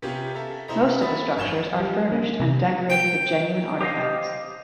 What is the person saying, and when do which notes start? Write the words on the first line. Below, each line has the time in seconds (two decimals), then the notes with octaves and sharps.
Most of the structures are furnished and decorated with genuine artifacts.
0.02 C3 B3 C#4 F4 G4
0.34 A4 E5 A#5
0.68 C3 E4 C5 D#5 A#5
1.02 E5 B5 D#6 A6
1.36 G#1 F#2 C#5 E7 G7
1.80 G3
2.12 A#3
2.40 C3
2.90 G5
3.81 G4 C5 D#5 F5